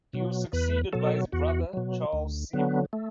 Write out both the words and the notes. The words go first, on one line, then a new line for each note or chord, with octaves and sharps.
He was succeeded by his brother Charles Seymour.
B2 F#3
E2 B4
B2 F#3 A4
E2 F#4
B2 F#3
D2
D3 F#3 B3
A3